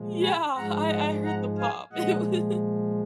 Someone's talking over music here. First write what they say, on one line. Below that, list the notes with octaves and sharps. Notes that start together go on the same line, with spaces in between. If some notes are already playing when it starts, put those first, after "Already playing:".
Yeah, I I heard the pop. It was
Already playing: A#2 F3 G#3
G#5 B5
G#2 F3 G#3 F#5 A#5
D#5 F#5
F#5 A#5
F5 G#5
A#2 F3 G#3 D#5 F#5